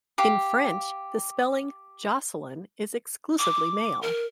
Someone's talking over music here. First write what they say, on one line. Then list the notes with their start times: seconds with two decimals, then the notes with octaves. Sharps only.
In French, the spelling "Jocelyn" is exclusively male.
0.18 G4 F5 D6
3.39 D6
4.02 A#4